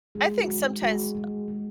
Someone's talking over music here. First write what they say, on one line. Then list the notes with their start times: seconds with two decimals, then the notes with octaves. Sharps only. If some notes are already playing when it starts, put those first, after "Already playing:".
I think sometimes
0.15 G#3 G#4
0.38 F#4
0.49 G#3
0.60 D#4
0.82 G#3 F#4
1.15 G#3
1.48 G#3